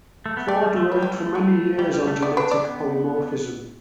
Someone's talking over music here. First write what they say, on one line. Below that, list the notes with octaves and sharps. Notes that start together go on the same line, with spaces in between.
Ford worked for many years on genetic polymorphism.
A3
B3
A3 D5
G3
A3
G3 B4
G4
A3 E4
E4
G3 G4
G3
A3
B3 D5
D4 B4
B3 D5